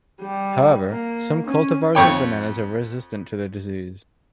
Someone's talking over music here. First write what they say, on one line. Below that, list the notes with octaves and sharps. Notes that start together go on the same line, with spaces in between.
However, some cultivars of bananas are resistant to the disease.
G3
A#3
C#4
F2 C#5 G5